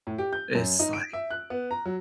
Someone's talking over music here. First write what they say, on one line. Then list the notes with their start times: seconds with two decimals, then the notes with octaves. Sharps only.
it's like
0.07 A2
0.18 G4
0.33 G6
0.55 F#2
0.79 D#4
0.93 D7
1.13 E5
1.31 F#6
1.50 B3
1.71 A#5
1.85 F#3